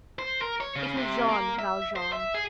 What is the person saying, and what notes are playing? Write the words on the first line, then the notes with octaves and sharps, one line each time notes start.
It was Jean Valjean.
C5
A#4
C#5
C#3
C3
A#3
E5
C5
E5
G#4